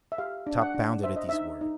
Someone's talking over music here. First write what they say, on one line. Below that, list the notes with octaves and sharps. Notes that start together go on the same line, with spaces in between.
Top bounded at these words.
E5
G4 F5
D4
F#5
D4
C5 E5
D#5
D#4 E5
D#4